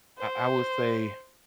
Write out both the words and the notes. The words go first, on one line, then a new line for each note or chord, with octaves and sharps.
I I will say
C5